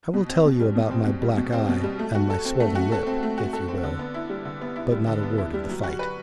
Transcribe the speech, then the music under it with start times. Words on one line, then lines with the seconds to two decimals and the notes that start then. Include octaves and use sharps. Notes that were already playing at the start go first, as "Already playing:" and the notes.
I will tell you about my black eye, and my swollen lip, if you will; but not a word of the fight.
0.14 B2
0.29 C4
0.45 B2
0.60 G3
0.76 B2
0.91 C4
1.06 B2
1.22 G3
1.37 B2
1.52 C4
1.69 B2
1.83 G3
1.99 A3
2.15 F#4
2.30 A4
2.45 C4
2.60 A3
2.75 F#4
2.92 A4
3.07 C4
3.23 A3
3.38 F#4
3.53 A4
3.68 C4
3.83 D3
3.99 B3
4.14 E4
4.30 G3
4.45 D3
4.61 B3
4.76 E4
4.91 G3
5.08 D3
5.23 B3
5.38 E4
5.54 G3
5.69 F#3
5.84 F#4
5.99 B4